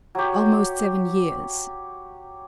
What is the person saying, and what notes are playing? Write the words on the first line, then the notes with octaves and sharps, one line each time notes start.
"Almost seven years."
F#3 G4